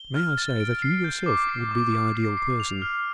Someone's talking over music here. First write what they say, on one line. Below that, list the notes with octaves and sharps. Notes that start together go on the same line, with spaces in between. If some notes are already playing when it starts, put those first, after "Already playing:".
May I say that you yourself would be the ideal person.
Already playing: G7
F6
A6
D7
C7
G6
D6
C7
D6
D6
C7
C7
F7
F6